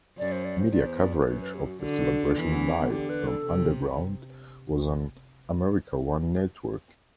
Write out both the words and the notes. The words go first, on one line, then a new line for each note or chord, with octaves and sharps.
Media coverage of the celebration live from Underground was on America One network.
F#2 D5
C5
D5
C5
E2 D5
C5
D5
C5
F#2 B4
B4
G4
F#4
D3 F#4
E2 E3 D4
B3
C4
B3
D3 G4
B4
A4
C3